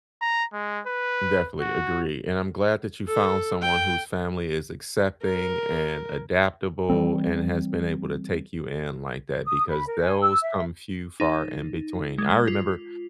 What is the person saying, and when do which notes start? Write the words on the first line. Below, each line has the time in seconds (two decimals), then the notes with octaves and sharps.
Definitely, agree, and I'm glad that you found someone whose family is accepting, and adaptable, and has been able to take you in like that because those come few far in between. I remember
0.21 A#5
0.53 G#3
0.87 B4
1.60 F#4
3.08 A4
3.62 G5
5.24 A#4
6.90 E3 G3 C4
9.45 D#6
9.69 B5
9.86 A#4
10.02 G#5
10.21 E6
10.42 E5
11.20 D#4
12.18 G#3
12.48 F4